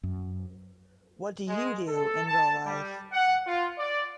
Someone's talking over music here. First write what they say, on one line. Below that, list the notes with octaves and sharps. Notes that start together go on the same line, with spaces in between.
What do you do in real life?
F#2
G#3
A4
A5
G3
F#5
F4
D5